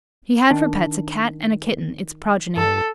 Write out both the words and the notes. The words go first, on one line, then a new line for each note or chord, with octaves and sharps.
He had for pets a Cat and a kitten, its progeny.
D#3 D4
G2 A4